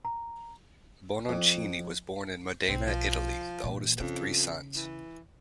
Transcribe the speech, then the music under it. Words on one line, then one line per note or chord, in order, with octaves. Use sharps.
Bononcini was born in Modena, Italy, the oldest of three sons.
A#5
F2
B1 C4
F3
A#2 E3
F2 C#3
E3